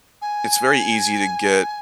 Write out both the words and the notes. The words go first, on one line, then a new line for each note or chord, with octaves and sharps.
it's very easy to get
G#5